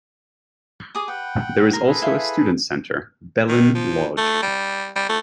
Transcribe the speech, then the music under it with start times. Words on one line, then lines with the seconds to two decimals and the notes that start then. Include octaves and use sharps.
There is also a student center, Belin Lodge.
0.95 G#4 D6 D#6
1.08 B4 F#5 G5
1.73 A#4 C6
1.87 G#4 A4 B4
2.02 E4 F5 C6
3.49 D#3
3.75 F3
4.18 A3
4.42 G3
4.96 G3
5.09 A3